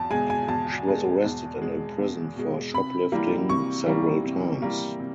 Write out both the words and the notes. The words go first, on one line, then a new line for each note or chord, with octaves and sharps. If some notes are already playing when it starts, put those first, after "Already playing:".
She was arrested and imprisoned for shoplifting several times.
Already playing: E2 A5
B2 G#3 G#5
G#5
E2 A5
B2 G#3
E2
B2 G#3
E2
B2 G#3
C3 B5
E3 G3 A#3
C3 C#6
E3 G3 A#3
C3
E3 G3 A#3
C3